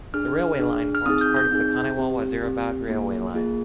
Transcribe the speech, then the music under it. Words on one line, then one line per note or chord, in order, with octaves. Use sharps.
The railway line forms part of the Khanewal-Wazirabad railway line.
D4 G#4 F6
D4 G#4
F6
C4 D#4 G#4 D#6
G6
G6
C4 D#4 G#4
C4 G4
C4 G4
A#3 F4 G#4
A#3 F4 G#4